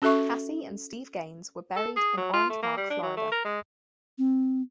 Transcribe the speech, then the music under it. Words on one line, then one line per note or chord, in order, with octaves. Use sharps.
Cassie and Steve Gaines were buried in Orange Park, Florida.
C#4 F#4 A4 E5 C#6
A4
G#4
F#3
F4
A3
A#3
G3
D4
F#3
A3
A#4
G#3
C4